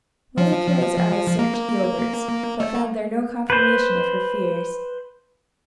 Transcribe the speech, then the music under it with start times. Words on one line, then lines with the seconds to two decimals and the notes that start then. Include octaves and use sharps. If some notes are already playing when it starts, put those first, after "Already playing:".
Mother Carey's eyes searched Gilbert's, but found there no confirmation of her fears.
0.38 F3
1.39 A#3
2.60 A3
3.50 B4 C5